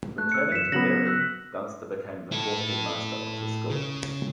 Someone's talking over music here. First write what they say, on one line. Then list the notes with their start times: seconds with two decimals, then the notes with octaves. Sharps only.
Returning to Bury, Dunster became the fourth headmaster of the school.
0.18 A3 F#6
0.32 E6 C#7
0.52 F#2 B6 E7
0.72 C#3 F#3 B3 A#6 B6 F#7
1.05 E6 F#6 B6
2.32 E4 A4
3.70 C#3